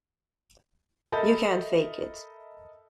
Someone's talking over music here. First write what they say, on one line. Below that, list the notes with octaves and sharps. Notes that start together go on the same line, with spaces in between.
You can't fake it.
A4 A#4 D#5 E5 B5 G6